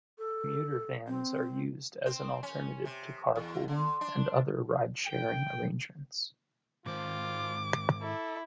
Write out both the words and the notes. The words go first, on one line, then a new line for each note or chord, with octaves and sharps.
Commuter vans are used as an alternative to carpooling and other ride sharing arrangements.
A4
C4
C4
C#4
C3
E2
D3
D4
G5
G#2 D#3 F4 C5 D6
E4 A4